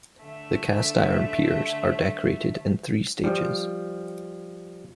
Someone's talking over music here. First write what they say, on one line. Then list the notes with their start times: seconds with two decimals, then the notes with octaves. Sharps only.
The cast iron piers are decorated in three stages.
0.24 D3 A3 E5
3.24 F3 G3